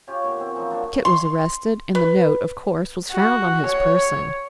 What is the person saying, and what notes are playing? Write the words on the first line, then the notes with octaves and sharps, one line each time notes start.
Kit was arrested, and the note, of course, was found on his person.
C#4 F4 G4 C#5
B2 D#3
C4 G#4
E3 F3 D#4 C#6
A#2 F#3 D4
C6
B4
F#4
C#5